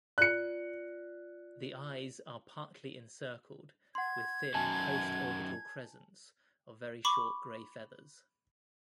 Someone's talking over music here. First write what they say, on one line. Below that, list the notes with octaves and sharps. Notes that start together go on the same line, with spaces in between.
The eyes are partly encircled with thin post-orbital crescents of very short grey feathers.
F4 D5 F#6 C#7
F#5 C6 G#6
F#2 D#3 G#5 A5
B5 C#6 D6